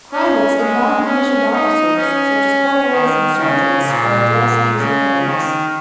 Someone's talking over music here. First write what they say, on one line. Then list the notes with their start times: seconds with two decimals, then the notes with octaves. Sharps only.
Privates and non-commissioned officers, such as corporals and sergeants, are addressed using their ranks.
0.11 C#4
0.57 G#3
1.04 C#4
1.51 D#4
1.97 C#4
2.90 D#3
3.37 C#3
3.84 A#2
4.76 C#3
5.23 D#3